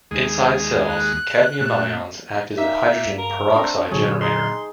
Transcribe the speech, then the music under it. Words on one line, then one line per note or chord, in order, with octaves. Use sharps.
Inside cells, cadmium ions act as a hydrogen peroxide generator.
D#2 G#3 G#4
F#6
A#2 A3
A#3 D#4 E5
G2
A#4
A3 C4 D4 A4 A#5
A#2 D3 F#3 G#4 C#5
G#3 D#4 C6